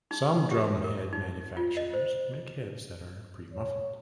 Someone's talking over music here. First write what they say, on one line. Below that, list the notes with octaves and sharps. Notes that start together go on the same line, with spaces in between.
Some drumhead manufacturers make heads that are pre-muffled.
D#4
G4
A#4
D#4
F4
D#5
C5
C#5